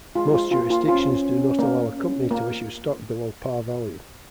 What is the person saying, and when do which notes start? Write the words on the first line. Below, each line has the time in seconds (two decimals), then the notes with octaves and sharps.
Most jurisdictions do not allow a company to issue stock below par value.
0.15 G#3 F4
0.34 F4
0.51 A#3 F4
0.70 F4
0.88 C#4 F4
1.59 A#3
1.95 C#4
2.31 A#3